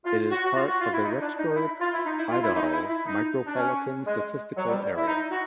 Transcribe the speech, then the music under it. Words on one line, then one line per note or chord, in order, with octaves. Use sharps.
It is part of the Rexburg, Idaho Micropolitan Statistical Area.
F4
F#4
F#4
F4
F#4
F4
E4
D#4
D4
D#4
E4
F4
E4
D#4
E4
F4
E4
D#4
E4
E4
D#4
D4
C#4
G#3
F#3
G3
E4
D#4
F#4